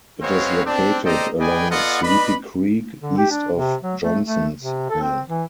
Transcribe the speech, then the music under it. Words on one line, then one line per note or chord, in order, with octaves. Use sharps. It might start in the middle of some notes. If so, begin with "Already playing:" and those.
It is located along Sleepy Creek east of Johnsons Mill.
G#3 C4 F#4 B4 C#5 F5
C4 D4
A4 C5 D5 D#5 G5 A#5
G#4 B4 D5 D#5 G5 G#5
B3 F4 A4 D5 D#5 F#5
D4 B4 D#5 B5
D3
G4
D4
C3
F#3
A3
A3
C3
A4
C4
E3